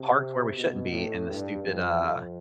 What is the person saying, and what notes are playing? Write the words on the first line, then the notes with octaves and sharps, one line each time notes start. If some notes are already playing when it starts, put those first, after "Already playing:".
parked where we shouldn't be in the stupid, uh,
Already playing: C3
B2
A2
G2
F2
F2